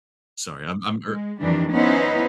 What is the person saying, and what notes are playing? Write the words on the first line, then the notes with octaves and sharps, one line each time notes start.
Sorry, I'm I'm ear
G#3
F2 D#3 E3 G3 D4
B3 C#4 D#4 E4 B4 C5